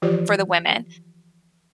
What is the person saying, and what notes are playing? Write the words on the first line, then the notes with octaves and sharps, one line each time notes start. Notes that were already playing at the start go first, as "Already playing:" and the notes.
for the women.
E3 F3 F4 G4 C5